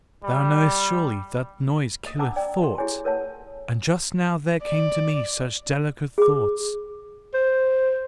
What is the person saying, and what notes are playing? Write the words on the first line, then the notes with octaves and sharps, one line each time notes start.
Thou knowest surely that noise killeth thought,--and just now there came to me such delicate thoughts.
G3
D#5 D#6
D4 F#5 A5 A#5 D6 E6
D5 G5
F#4 C6
E4 G4 G#4 C#5 G#5
A4 A#4 C#5 F#5 A5
D5
G#4 D6
C5